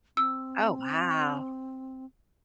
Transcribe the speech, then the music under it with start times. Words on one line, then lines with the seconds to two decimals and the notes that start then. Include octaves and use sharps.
Oh, wow.
0.17 C4 E6